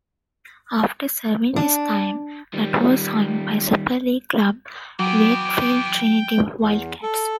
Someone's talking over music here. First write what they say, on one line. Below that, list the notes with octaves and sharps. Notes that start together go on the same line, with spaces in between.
After serving his time, Latu was signed by Super League club Wakefield Trinity Wildcats.
D4
D#3 G3
E3 F#3 B3 G5 D6
E2
A4